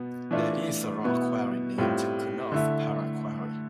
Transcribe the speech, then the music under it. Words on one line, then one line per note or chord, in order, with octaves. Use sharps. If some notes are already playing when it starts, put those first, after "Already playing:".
There is a rock quarry named "Kunnoth Para Quarry".
Already playing: B2 B3
E3 A3 D4 F4
B2 B3 E4
A2 G3 C4 F4
D3 A3 E4